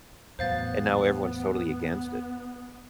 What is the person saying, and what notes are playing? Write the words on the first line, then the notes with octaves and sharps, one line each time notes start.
and now everyone's totally against it.
E2 A2 F#3 B3 C5 F5 A6